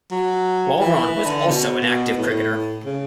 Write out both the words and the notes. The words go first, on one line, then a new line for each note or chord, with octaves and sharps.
Walrond was also an active cricketer.
F#3
E3
E3
D3
B2
B2
A2
C#3